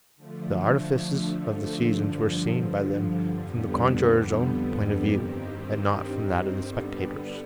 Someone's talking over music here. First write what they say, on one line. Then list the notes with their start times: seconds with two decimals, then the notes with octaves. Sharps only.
The artifices of the seasons were seen by them from the conjuror's own point of view, and not from that of the spectator's.
0.16 D3 F3 A3
1.77 G2 D3 F3
3.38 F2 D3 G3 B3
4.99 G2 D#3 G3 C4
6.61 D3 G3 B3